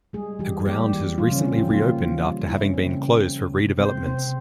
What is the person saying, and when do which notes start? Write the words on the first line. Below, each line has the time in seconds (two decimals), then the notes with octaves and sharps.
The ground has recently reopened after having been closed for redevelopments.
0.13 G3 G#3 G#4
0.39 E3 G3 G4
0.66 G3 A#3 G4
0.93 E3
1.18 F3 G3 F4
1.31 C#3 C#4
1.45 E3 C4
1.58 F3 F4
1.70 F3 A#3 F4
1.96 E3
2.24 G3
2.49 C#3 E4
2.62 C#4
2.74 A#3 C4
2.85 C#3 C#4
3.02 C#3
3.29 F3
3.55 C3
3.80 G#3 C4 C5
4.06 C3 C4 C5